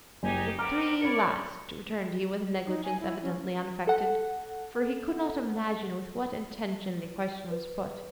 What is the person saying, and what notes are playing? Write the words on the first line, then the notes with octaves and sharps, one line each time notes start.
"The three last," returned he, with a negligence evidently unaffected, for he could not imagine with what intention the question was put.
F#1 D#4 G4 G#5
B3 C4 A#4 A#5 D6 F6
A#4 C#5 D5 B5 C#7
D#4
G#5
E4
C#4
A4 F#5
B4